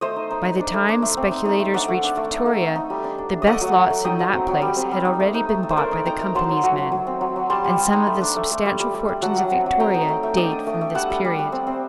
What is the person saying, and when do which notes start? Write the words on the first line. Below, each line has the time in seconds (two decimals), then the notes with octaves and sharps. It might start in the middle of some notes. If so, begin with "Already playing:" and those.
By the time speculators reached Victoria the best lots in that place had already been bought by the company's men; and some of the substantial fortunes of Victoria date from this period.
0.01 A3 C5 D#5
0.16 D#4
0.31 D#4
0.45 D#4
0.60 D4
0.74 A3
0.89 D4
1.02 A3
1.17 C4
1.31 D#4
1.46 D#4
1.59 A3
1.74 D4 D5 F#5
1.88 A3
2.03 D4
2.17 A3
2.32 D#4
2.46 A3
2.61 D#4
2.76 D#4
2.90 G3
3.04 D4
3.18 D4
3.33 D4
3.42 D#5
3.47 A3 D5 F#5
3.61 F#3
3.76 F#3
3.90 A3
4.04 D#4 D#5 G5
4.19 F#3
4.33 C4
4.48 F#3
4.62 G3
4.77 C4
4.91 G3
5.05 D#4
5.20 A3
5.34 D#4
5.49 A3
5.63 A3
5.70 C5
5.77 A3 A#4 D5
5.91 D#4
6.05 D#4 G5 A#5
6.21 A3
6.35 F#3 A5 C6
6.49 F#3
6.63 F#3
6.78 F#3
6.92 F#3
7.07 C4
7.21 F#3
7.36 F#3
7.50 G3 A5 C6
7.64 G3
7.78 G3
7.93 D#4
8.07 A3
8.22 D4
8.36 A3
8.51 A3
8.66 G3
8.80 G3
8.94 G3
9.09 G3
9.22 F#3 F#5 A5
9.37 F#3
9.51 C4
9.66 F#3
9.80 A3 G5 A#5
9.94 D#4
10.09 A3
10.23 A3
10.37 D4 D#5 G5
10.52 D4
10.67 A3
10.81 A3
10.95 G3 F#5 A5
11.10 G3
11.25 G3
11.39 G3
11.52 C4
11.67 C4